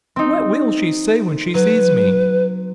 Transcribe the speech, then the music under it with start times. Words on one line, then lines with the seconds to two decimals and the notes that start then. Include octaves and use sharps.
What will she say when she sees me?
0.16 C4 D#4
1.54 F#3 B4